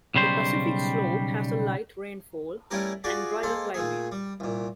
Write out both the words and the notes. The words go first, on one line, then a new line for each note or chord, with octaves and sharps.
The Pacific slope has a light rainfall and dryer climate.
B1 C#3 G3 C5
G3 A3 C#4 E4 G4 A#4
F4 F#4 G#4 D5
G#3 A#3 A4 C5
A#2 A3 G#4
G3
C2 A#2